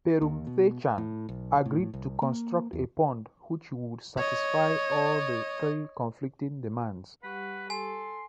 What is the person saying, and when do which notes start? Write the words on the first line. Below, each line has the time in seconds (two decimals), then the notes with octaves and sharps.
Perumthachan agreed to construct a pond which would satisfy all the three conflicting demands.
0.21 D#2
0.47 B2
0.98 A2
1.29 B1
1.66 A2
1.94 C2
2.22 A#3
2.73 E2
4.17 C#5 D#5
7.23 G3 G4 B4 F#5 C#6
7.70 A4 G#5 C6